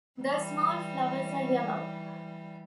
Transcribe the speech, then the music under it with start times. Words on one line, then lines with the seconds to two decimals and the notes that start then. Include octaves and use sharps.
The small flowers are yellow.
0.20 E3 G3